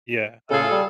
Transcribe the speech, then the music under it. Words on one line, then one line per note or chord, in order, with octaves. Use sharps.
Yeah, uh-huh.
C#3 F4 G#4 A4
G3